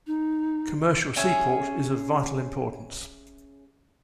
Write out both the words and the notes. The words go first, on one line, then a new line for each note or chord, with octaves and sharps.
Commercial seaport is of vital importance.
D#4
C#4 G#4 E5